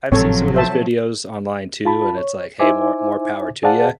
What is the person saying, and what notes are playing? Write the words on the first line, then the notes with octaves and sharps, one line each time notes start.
I've seen some of those videos online too, and, it's like, "Hey, more more power to you."
G#1 A2 C3 F3 F#3 C4 A4 C#5
C5 E5 A5
F4 A5 B5
C#5
D#4 E4 C5 E5 G#5 D6
G#4 C5 D5 F5 F#5 A5